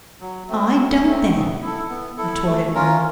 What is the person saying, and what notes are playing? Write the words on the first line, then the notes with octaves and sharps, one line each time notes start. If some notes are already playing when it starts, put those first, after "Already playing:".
"I don't then," retorted Marilla.
F#3
A3 C4
F#3
A3 C4
B3
E4 A4
B3
E4 A4
A3
C#4 F4 A#4